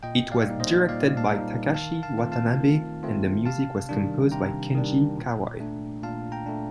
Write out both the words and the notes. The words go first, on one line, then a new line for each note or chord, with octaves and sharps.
It was directed by Takashi Watanabe and the music was composed by Kenji Kawai.
A#2 D#5 G5
D5 F5
G3 A#3 D#4
C5 D#5
A#2 D5 F5
F5 A5
G3 A#3 D#4
D#3 F5 A5
F5 A5
A3 C4 F4
F5 A5
D#3
A3 C4 F4
C3 F5 A5
D#3 G3 D4
C3 G5 A#5
D#3 G3 D4
A#2
A3 D4
A#2 F5 A5
G5 A#5
A3 D4